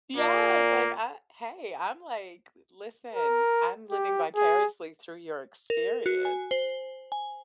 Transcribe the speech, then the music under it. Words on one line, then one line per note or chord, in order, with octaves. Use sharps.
Yes, like, I hey I’m, like listen, I’m living vicariously through your experience.
A#2 A#3
A#4
G4
G#4
A#4
F#4
G#5
C5
G#5